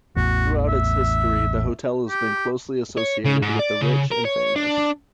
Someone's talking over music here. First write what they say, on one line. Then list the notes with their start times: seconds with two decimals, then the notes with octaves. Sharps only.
Throughout its history the hotel has been closely associated with the rich and famous.
0.16 A1 E2 F#4
0.68 E5
2.09 G4
2.97 C#5
3.25 C#3
3.42 G#2
3.59 D5
3.81 C#3
4.11 A#4
4.25 C#5
4.56 D4